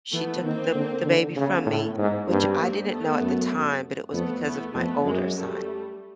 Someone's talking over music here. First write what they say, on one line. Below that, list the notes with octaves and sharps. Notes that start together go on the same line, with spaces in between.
she took the the baby from me, which I didn't know at the time, but it was because of my older son.
E3 A3 B3
D#3 A#3 C4
D3
D3
C#3 A3 B3
A2
G#2 G#3 A#3
G2 A#3 C4
A#3 C4
A3 B3
F#2
F2 A3 B3
E2 A3 B3
F2 A3 B3
F#2 G#3 A#3
G3 A3